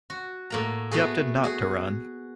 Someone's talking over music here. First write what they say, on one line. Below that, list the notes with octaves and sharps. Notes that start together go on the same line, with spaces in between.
He opted not to run.
F#4
A2 A#3 A#5
A3 B3 F#4 G#4
F#4 G#4